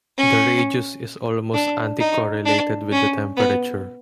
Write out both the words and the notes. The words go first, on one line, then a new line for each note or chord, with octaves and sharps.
The radius is almost anti-correlated with the temperature.
C#4
D4
D#4
D4
C#4
B3